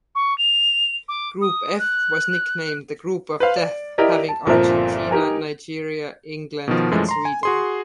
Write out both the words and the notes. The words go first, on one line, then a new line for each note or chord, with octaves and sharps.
Group F was nicknamed the "Group of Death", having Argentina, Nigeria, England, and Sweden.
C#6
F7
D6
D#6
F#6
B4 C5 F5
D5
E4 G4 A#4 D5 D#5
A5
G1 A#2 F3 C4 A#4 E5
D#4 G4 A#4 G#5
B2 D#3 F3
F#2 E3 F3 G#3 A3
A#5 C6
G#5
F#4 G#4 C6